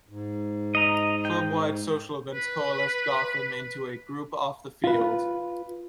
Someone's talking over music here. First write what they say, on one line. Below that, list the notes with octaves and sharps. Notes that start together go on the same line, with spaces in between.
Club-wide social events coalesced Gotham into a group off the field.
G#2
D#5 A#5
G5
B4
F4 B4